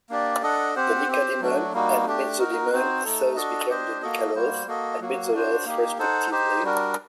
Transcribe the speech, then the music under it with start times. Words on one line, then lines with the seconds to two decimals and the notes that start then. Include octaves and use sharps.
The Nycadaemon and Mezzodaemon thus became the Nycaloth and Mezzoloth respectively.
0.09 A#3 D4 G4 D5
0.42 D4 A4 D#5 F#5
0.75 C4 G4 C5 F#5
1.08 C4 G4 C5
1.40 F#3 A3 D4 F#4
1.73 G3 A#3 D#4 F#4
2.06 A3 D4 G4
2.39 D#4 F#4 A#4
2.71 C4 D#4 F#4 C5
3.04 A3 D#4 A4
3.36 D4 F#4 A4 D#5
3.69 D4 G4 C5 D#5
4.02 A#3 F#4 A4 D#5
4.34 G3 A#3 F#4 C5
4.67 A#3 F#4 A4 D#5
5.00 F#3 A#3 F#4
5.32 D4 F#4 C5
5.65 A#3 D#4 G4
5.98 D#4 A4 C5 F#5
6.31 D#4 G4 C5
6.63 G3 D4 F#4 A#4